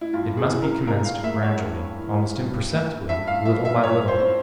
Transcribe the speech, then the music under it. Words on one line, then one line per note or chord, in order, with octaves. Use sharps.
It must be commenced gradually, almost imperceptibly, little by little.
E4
G2 F4
G#4
E3
A#4
G2 A#4
F5
A#3 E5
C#5
G2
E3
G2
A#3
G2 E5
F5
F3 E5
E5
G2 C#5
C5
C4